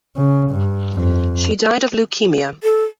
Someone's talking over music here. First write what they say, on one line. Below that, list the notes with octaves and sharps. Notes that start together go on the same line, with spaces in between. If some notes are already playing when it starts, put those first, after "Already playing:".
She died of leukemia.
C#3
G2
F2
A4